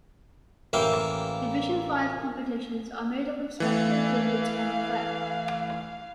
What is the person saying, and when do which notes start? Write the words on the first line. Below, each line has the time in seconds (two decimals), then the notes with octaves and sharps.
Division Five competitions are made up of special exhibits on the fair.
0.73 A1 E3 A#3 E5 F5 G5
3.60 E3 A3 F5